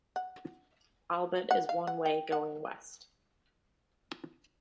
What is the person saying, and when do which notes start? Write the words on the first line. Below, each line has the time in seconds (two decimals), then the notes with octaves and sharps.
Albert is one way going west.
0.16 F#5
1.51 F#5
1.69 F5
1.87 F#5
2.06 G5
2.32 F#5